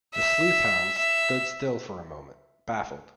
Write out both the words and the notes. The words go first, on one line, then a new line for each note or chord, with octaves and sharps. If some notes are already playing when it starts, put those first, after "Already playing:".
The sleuth-hound stood still for a moment, baffled.
E5
E5